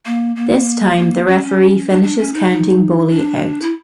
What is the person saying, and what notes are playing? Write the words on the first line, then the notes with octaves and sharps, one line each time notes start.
This time the referee finishes counting Bolie out.
A#3
A#3
A#3
C#4
C#4
D4
D4
C#4
D#4
D#4
D4
E4